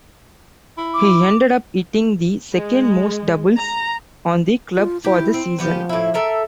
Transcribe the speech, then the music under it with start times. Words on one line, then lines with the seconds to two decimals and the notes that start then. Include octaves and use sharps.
He ended up hitting the second-most doubles on the club for the season.
0.77 E4
0.94 D6
2.53 G#3
3.57 A#5
4.76 F4
5.04 E4 G4
5.34 C4
5.59 F3 B3 C#4 G4
5.89 A2 E4
6.14 A4 A#4 E5